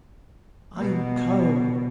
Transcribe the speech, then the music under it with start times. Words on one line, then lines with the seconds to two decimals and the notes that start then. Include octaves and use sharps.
"I am cold."
0.79 B2